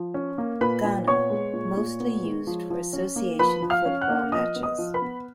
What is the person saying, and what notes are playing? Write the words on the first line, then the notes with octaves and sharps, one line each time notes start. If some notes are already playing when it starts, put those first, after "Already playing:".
Ghana, mostly used for association football matches.
Already playing: F3
C#4
A#3
A#2 B4 B5
A#2
B3 C#5 C#6
G#3
A#2
A#2
B3
G#3
F3
F3
C#4
A#3
F3 B4 B5
F3
F5 F6
C#4
F#5 F#6
A#3
F3 D#5 D#6
B3
D#5 D#6
F3
B4 B5
B3